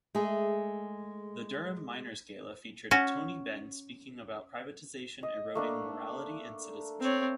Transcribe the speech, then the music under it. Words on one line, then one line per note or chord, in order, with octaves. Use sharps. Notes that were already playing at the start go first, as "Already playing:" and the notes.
The Durham Miners' Gala featured Tony Benn speaking about privatisation eroding morality and citizenship.
G#3 A3 G#4
C#4 F#4
D#5
A3 A#3 D4
C4 C#5